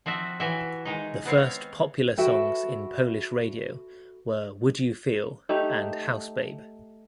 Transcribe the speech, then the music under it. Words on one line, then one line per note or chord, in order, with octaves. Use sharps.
The first popular songs in Polish radio were "Would You Feel" and "House Babe".
F3 C4 F#4 E5
E3 F#4 G4 C#5 E5
D#3 G#3 D#4
B3 C4 C#5 F5
F#4 A4 B4 E5 F#5 G5
A3 D#4 G4